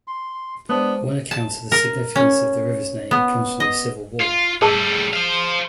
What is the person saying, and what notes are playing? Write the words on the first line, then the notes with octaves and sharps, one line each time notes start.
One account of the significance of the river's name comes from the Civil War.
C6
G#3 B3 D4 C5
A5
A#4
C#4
B3
D#5
F4
A2 G3 G#4 A5 E6
C5 F5